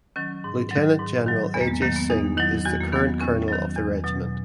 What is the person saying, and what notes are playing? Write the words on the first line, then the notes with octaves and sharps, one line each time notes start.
Lieutenant General Ajai Singh is the current Colonel of the Regiment.
D#3 F#3 C#4
G#2
D#3 F#3
G#2
D#3 F#3
E2 B3
A#3
G#3
D#3 F#3 A#3
B3
E2 D#4
D#3 F#3 E4
E2 F#4
A#3
D#3 F#3 B3
E2 C#4
D#3 F#3
E2
B2 F#3